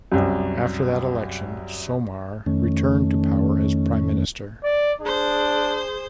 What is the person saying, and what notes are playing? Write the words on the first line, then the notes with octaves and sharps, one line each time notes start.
After that election, Somare returned to power as prime minister.
C2 F#2
F2 D#3 A3 C#4
D5
D4 G#4 C5